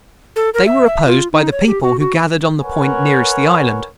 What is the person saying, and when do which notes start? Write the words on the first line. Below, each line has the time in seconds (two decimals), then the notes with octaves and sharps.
They were opposed by the people who gathered on the point nearest the island.
0.36 A4
0.54 A#4
0.66 E5
0.86 E5
1.06 F4
1.32 D#4
1.52 C#5
1.67 G4
1.82 F#4
2.00 F#4
2.62 A#4 B4 C#5 F#5 G#5